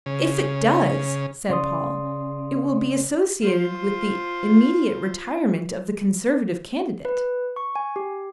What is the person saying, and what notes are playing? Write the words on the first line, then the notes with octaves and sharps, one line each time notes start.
"If it does," said Paul, "it will be associated with the immediate retirement of the Conservative candidate."
C#3
C#3 D5 C6 D#6
F4 C5
B4
C#6
G#5
G4